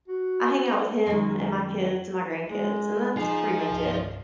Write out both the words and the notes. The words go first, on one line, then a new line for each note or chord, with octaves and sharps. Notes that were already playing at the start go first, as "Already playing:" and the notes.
I hang out with him and my kids and my grandkids, and that's pretty much it,
F#4
F#2 D#3
G#3
F3 D#4 F4 G#4
C2 G2